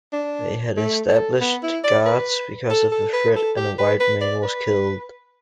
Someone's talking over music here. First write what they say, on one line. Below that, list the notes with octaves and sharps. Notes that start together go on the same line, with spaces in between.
They had established guards because of the threat, and a white man was killed.
D4
A3
A4
B3
E4
D5
B4
A4
A4
B4
A4
G4
B4
B4
D5
B4